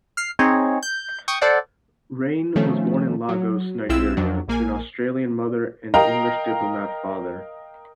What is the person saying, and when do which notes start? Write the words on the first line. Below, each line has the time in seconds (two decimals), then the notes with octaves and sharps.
Reyne was born in Lagos, Nigeria to an Australian mother and English diplomat father.
0.17 F6 C7
0.39 C4 D#4 G#4 C#5 D#5
0.83 G6
1.28 G5 C#6 D#6
1.41 A4 C5 D5 F#5
2.55 D#3 F3 A3 C#4
3.29 F#3
3.89 B1 G#3 C4 E4 F4 E6
4.17 F2 F#3 D4
4.48 A#1 A#3 G#5
5.94 A#4 D#5 F5 G5 A#5